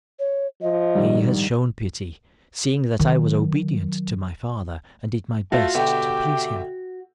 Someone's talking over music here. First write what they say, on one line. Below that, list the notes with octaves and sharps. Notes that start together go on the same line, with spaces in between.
He has shown pity, seeing that I was obedient to my father and did my best to please him.
C#5
F3 D#5
A#1 G#2 D#3 G3
D#3 F#3
A3 F4 F#4 E5 F5
B2 D3 G4 E5 G5